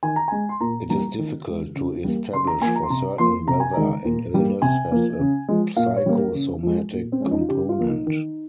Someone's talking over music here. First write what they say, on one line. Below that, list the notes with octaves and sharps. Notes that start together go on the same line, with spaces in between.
It is difficult to establish for certain whether an illness has a psychosomatic component.
D#3 G#5
A#5
G#3 G#5
C6
A#2 A#5
G3 A#3 A#5
D#3
G#3
C#3
G3 A#3
C#3 C6
A#5
F3 A#3 G#5
A#5
C6
C3 A#5
F3 A#3 C6
C3 A#5
G#5
D#3 G#3 A#5
A#2
G3 A#3
C3 G#5
F3 A#3
C#3
F3 G#3
A#2 F5
C#5
G3 A#3
A#4
C#3
F3 G#3
A#2
C4
F3 G#3 C#4
D#4
F4
C#3 G4
F4
F3 A#3
D#4
D#3